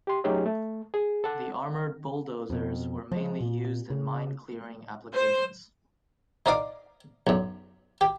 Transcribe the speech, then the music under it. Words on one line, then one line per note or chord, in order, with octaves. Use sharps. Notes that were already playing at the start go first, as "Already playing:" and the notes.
The armored bulldozers were mainly used in mine clearing applications.
G4 C6
F#3 A3 C#4 D#4 G4 G#4
A3
G#4
A4 F#5
F2 B2
F3 G#3
A#2
C#3
C5
D#4 A#4 D5 F5 D6
B1 F#2
G4